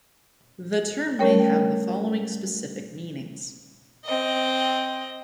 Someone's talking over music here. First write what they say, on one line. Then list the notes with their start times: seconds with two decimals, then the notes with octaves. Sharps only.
The term may have the following specific meanings.
1.19 G3 A3 C#4 A#4 C#5 G5
4.05 C4 D#5